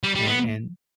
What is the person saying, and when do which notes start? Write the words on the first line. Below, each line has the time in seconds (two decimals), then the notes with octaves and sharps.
And and
0.04 G3
0.15 G3
0.27 B3